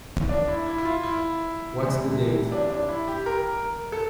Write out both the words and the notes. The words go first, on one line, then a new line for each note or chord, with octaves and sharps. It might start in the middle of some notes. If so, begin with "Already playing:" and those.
What's the date?
D4
E4
E4
E4
F4
E4
D2 C3 E3 G3
D4
D4
E4
G4
A#4
A4